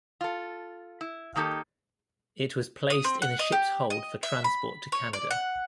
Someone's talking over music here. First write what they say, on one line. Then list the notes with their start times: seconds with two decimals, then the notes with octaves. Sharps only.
It was placed in a ship's hold for transport to Canada.
0.21 F4 A4
1.01 E4
1.36 D#3 A#3 D#4 G4 A4
2.90 D#6
3.04 C4
3.22 F#5
3.39 D#5
3.52 G4
3.90 D#5
4.23 E5
4.44 B5
4.92 C#5
5.13 D5
5.31 F#5